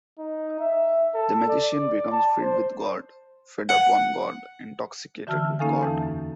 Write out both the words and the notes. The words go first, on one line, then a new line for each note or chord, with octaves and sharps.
The magician becomes filled with God, fed upon God, intoxicated with God.
D#4
E5
A4
D5
A5
C5
F#5
D3 E3 F#4 A5 E6 F6
A#3 C#4 D#4 A4 F5 G#5
E2 E3 A5
F#2